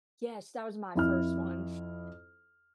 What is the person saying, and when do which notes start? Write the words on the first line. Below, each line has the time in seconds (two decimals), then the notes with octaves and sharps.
Yes, that was my first one.
0.95 F2 E4 F6